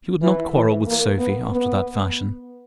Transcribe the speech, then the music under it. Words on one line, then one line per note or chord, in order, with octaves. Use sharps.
She would not quarrel with Sophie after that fashion.
E3
E3
A#3
B3
B3